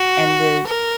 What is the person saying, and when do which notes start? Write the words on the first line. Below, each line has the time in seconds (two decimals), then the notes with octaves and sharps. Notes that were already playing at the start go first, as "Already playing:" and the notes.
and the
Already playing: F#4
0.66 A#4